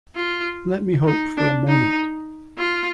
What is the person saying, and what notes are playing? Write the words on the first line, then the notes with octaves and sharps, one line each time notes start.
Let me hope for a moment!
F4
D#4
D4
D#4
F4